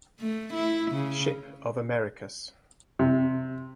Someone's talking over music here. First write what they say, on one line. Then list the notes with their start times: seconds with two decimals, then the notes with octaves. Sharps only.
Shipp of Americus.
0.20 A3
0.53 E4
0.91 C#3
2.99 C3